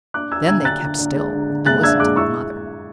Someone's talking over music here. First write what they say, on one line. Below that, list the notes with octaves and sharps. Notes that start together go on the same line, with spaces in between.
Then they kept still and listened to their mother.
D4 D6 F#6
D4 E6 G#6
D3 E6 G#6
D3 F#6 A6
D3
D3
G#3
D3
D3
G#3 F#6 A6
D4 E6 G#6
G#3 D6 F#6
E4 C#6 E6